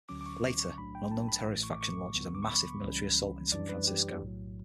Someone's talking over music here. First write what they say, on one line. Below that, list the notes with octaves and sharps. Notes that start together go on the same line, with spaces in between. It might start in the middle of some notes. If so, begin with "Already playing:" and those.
Later, an unknown terrorist faction launches a massive military assault in San Francisco.
D2 D3 F#3 C#4 D6
D6
C#6
C#6
B1 A2 F#3 A3 D4 B5
G5
A5
B5
A1 A2 E3 A3
C#6
D6
C#6
D2 D3 F#3 B3
D6
C#6
B5
C#2 C#3 E3 G3 C#4
F#2 E3 G3 D4 D5
B4
G4
B1 A2 F#3